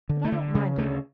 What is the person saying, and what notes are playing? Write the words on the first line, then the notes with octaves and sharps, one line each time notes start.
But I don't mind it.
D3
A3
D3
C#3 G#3
D2 A3